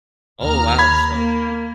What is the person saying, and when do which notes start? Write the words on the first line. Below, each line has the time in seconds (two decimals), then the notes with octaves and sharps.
Oh, wow, so
0.43 D#2 A#5 F6
0.79 B5 G#6
1.14 A#3